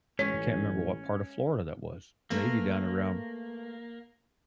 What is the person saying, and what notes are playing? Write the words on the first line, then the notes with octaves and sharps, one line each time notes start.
I can't remember what part of Florida that was. Maybe down around,
A1 G#3 C#4 C#5
A3 A#3 A#4 B4